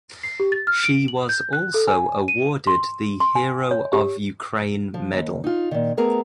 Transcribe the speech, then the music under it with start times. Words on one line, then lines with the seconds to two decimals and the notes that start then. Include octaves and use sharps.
She was also awarded the Hero of Ukraine medal.
0.23 C7
0.40 G4
0.52 A6
0.67 F6
0.84 D7
1.08 F#7
1.29 G6
1.53 F#6
1.74 A4
1.87 G#5
2.28 D#7
2.67 C6
3.20 C6
3.35 G#5
3.71 C#5
3.93 G4
4.94 F3
5.13 D#2
5.44 D#4 F4
5.71 A#2 D#3
5.97 A3 B3 G#4 A#4 A#5